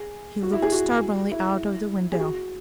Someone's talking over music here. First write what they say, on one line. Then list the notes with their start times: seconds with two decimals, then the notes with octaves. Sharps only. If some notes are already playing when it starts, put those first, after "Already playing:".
He looked stubbornly out of the window.
Already playing: G#4
0.43 F#4
0.53 E4
0.62 G#4
0.72 F#4
1.31 E4
2.12 G#4
2.20 F#4